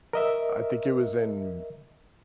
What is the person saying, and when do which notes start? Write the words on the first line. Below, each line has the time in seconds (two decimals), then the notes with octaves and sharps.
I think it was in
0.13 A#4 D#5 E5